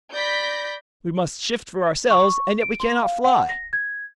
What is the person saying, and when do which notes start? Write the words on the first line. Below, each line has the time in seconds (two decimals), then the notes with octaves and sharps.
We must shift for ourselves, and yet we cannot fly!
0.14 D5 B5 G6 A#6 B6
2.10 C#6
2.61 D7
2.80 C6
3.03 F5
3.24 F#5
3.49 A#6
3.73 G#6